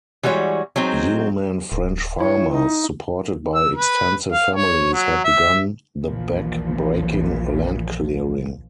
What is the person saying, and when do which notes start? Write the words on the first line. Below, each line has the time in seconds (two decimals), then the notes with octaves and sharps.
Yeoman French farmers, supported by extensive families, had begun the back-breaking land clearing.
0.23 E3 G3 G#3 F#4 C#5
0.76 F#3 G#3 C4 D#4
1.72 D1
2.20 E4 C#5
2.53 D#4
3.55 E6
3.75 B4
4.32 F5
4.55 C#5
4.93 F#3
5.25 E5
6.04 A#1 D#2 A#2 E3 F3